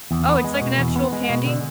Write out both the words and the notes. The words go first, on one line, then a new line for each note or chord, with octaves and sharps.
Oh, it's like an actual candy?
E2
B3
G#3
B2
E2
B3
G#3
B2
D3